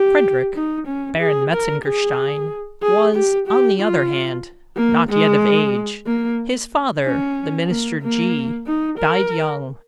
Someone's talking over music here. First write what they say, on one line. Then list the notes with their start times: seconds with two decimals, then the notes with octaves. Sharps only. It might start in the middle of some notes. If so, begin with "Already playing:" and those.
Frederick, Baron Metzengerstein, was, on the other hand, not yet of age. His father, the Minister G--, died young.
Already playing: G4
0.55 D#4
0.87 C#4
1.20 G#4
1.53 A#4
1.85 G#4
2.82 G#4
3.15 G4
3.47 G4
3.80 F4
4.77 A#3
5.09 G#3
6.06 A#3
7.04 C#4
7.69 A#3
8.02 A#3
8.67 D#4
8.98 A#4